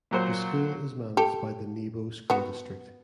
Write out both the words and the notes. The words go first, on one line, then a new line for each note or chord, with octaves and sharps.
The school is managed by the Nebo School District.
A#2 F#3 C5
G4 A4
B3 F#4